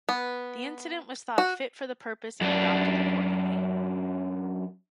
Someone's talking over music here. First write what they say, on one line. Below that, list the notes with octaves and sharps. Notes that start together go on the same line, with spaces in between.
The incident was thought fit for the purpose and adopted accordingly.
B3
F#4
F#2 D4